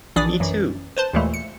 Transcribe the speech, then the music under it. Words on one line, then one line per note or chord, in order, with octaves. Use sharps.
Me too!
A#1 E3 D4 D5 D#6
F#2 E3
B4 C5 A5
D#2 A#2 E3 G#3 A3
C#7